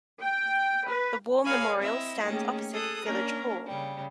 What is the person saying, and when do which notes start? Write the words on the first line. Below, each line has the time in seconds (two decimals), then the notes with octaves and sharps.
The War Memorial stands opposite Village Hall.
0.21 G5
0.88 B4
1.44 G#4 A#4 C#5 F5 G#5 B5
1.77 C4 E4 D#5 E5
2.24 D#3 A3 A#3 C#4 G4 G#4
2.72 G#4 A4 D#6 F#6
3.04 A#3 C#4 D4 A#4
3.66 C#3 G3